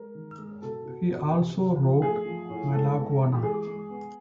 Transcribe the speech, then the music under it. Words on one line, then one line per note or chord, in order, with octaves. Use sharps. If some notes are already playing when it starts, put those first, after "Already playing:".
He also wrote Malaguena.
Already playing: G#3 A#4
D#3
G#3
B2 A4
B2
B2
C3
C3
F3
A3 G#4
F3
A2
G#3 A4
B3
E3
G4
G#3 G#4
G#3
B3